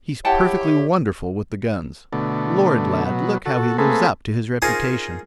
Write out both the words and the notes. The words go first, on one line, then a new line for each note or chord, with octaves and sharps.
He's perfectly wonderful with the guns! Lord, lad, look how he lives up to his reputation!
E4 G4 C#5 F#5 G5 A5
B2 D3 A3
B2 F#3
F#4 A4
A3 A#3 C4 G#4 A4 B4
C#4 D#4 F4 G#4 A#4 C5